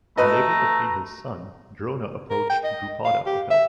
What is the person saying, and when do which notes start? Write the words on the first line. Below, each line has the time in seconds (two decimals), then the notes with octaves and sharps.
Unable to feed his son, Drona approached Drupada for help.
0.18 A3 F#4 B4 D#5 A#5
2.30 A#4
2.50 G5
2.64 D#5
3.05 F5
3.26 G4
3.51 E5